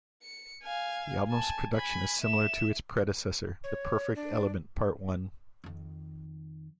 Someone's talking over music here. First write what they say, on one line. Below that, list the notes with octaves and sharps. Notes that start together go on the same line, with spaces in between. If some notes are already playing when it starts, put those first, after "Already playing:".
The album's production is similar to its predecessor, "The Perfect Element, part I".
C#7
F5 G#5
G#5 A5
G#5 B5
E5 E7
C#5
D4
F2 D#3